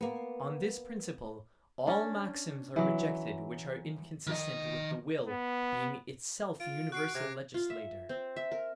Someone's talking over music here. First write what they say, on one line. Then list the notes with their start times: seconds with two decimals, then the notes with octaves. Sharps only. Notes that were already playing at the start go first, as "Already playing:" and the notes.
On this principle all maxims are rejected which are inconsistent with the will being itself universal legislator.
0.01 A#3 B3
1.87 C#4 D4
2.76 E3 F#3
4.27 D#3 D#5
5.28 B3
6.60 F4 D7
6.92 F#4 F#6 C7 D7
7.14 C3 D6 G#6 A#6
7.54 F4
7.70 E5
8.09 C4
8.36 E5
8.52 A#4